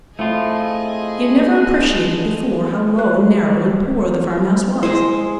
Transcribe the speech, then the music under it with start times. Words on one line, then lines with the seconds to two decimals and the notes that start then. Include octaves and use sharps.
He had never appreciated before how low and narrow and poor the farm-house was.
0.19 F3 A3 C4 E4 F4 G#4 D#5
2.97 B4 F#6
4.83 G#3 E4 G#4 C5